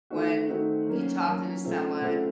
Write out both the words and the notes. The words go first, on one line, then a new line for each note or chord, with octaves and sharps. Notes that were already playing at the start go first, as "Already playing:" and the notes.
when you talking to someone,
D#3 A3 C4 D#4 F#4
D#3 A3 C4 D#4 F#4
F#3 A#3 C#4
F#3 A#3 C#4
C#3 A3 C4 F4
C#3 A3 C4 F4